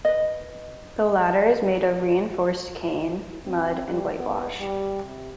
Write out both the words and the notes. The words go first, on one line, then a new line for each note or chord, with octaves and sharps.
The latter is made of reinforced cane, mud and whitewash.
B4 D#5
C4
G3
B3
G3
C3